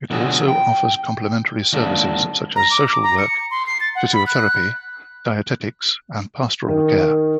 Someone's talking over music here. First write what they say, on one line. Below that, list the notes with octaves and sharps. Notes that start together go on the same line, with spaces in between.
It also offers complementary services such as social work, physiotherapy, dietetics and pastoral care.
B2 D3 F3 F#3 F#4 G#4
G5
D#3 F#3 G#3 A#3 D4 D#4
A#5
D6
D6
A#5
C#7
C6
C7
A6
F#5
B5
F#6
D#3